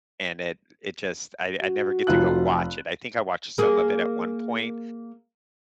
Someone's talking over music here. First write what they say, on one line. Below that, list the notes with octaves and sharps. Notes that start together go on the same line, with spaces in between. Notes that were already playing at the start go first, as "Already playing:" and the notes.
and it it just I I never get to go watch it, I think I watched some of it at one point,
F#4
F1 F4 F#6
A#3 G#4